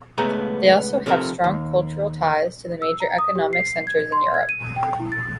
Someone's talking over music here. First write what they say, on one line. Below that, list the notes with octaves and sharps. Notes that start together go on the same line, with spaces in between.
They also have strong cultural ties to the major economic centers in Europe.
C#2 A3 B3 G#4 F#5 A#5
C3 F3 C4 A4 A#4
D#2
E6
A#5
D#6
G4
C7
G#6
C6
G#6
D#7
G5
E4
A6